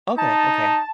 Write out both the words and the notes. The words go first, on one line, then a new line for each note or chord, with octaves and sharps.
Okay, okay.
D#4 A5